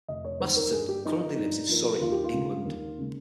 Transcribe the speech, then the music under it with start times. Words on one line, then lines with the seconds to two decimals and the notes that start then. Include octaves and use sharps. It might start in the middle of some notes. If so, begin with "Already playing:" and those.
Masterton currently lives in Surrey, England.
0.08 F1 D#5
0.25 C#5
0.40 D#2 D#3 G3 C5
0.56 A#4
0.72 G2 G#4
0.89 G4
1.05 F3 A#3 D#4
1.21 D#4
1.37 G2
1.69 F3 A#3
2.00 D#2 F4
2.12 G4
2.24 F4
2.33 C#3 G#3
2.65 D#2
2.98 C#3 G#3